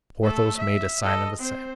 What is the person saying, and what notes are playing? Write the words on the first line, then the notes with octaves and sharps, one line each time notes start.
Porthos made a sign of assent.
A3 A4
E5
A4 D#5
C4 C5